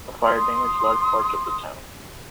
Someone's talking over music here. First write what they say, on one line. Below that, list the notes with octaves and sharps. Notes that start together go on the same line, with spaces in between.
A fire damaged large parts of the town.
C6 D#6